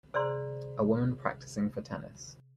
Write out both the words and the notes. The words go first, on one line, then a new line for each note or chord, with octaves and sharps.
A woman practicing for tennis.
C3 G#4 C5 D5 A#5 C6